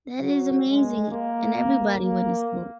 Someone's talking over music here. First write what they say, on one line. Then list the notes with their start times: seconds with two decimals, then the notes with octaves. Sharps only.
that is amazing, and everybody went to school.
0.19 F#3
0.65 G#3
1.11 A#3
2.04 A#3